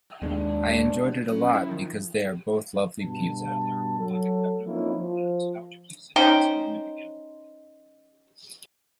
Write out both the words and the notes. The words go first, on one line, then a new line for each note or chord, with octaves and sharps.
I enjoyed it a lot because they are both lovely people.
D#2 G#3 D4
F#3 C#4
E4
D#3 F3
G2 B2 A5
F#3 A4
F3 A#3 C4 C#4 D#4 E4
F3
C#4 D#4 C5 G5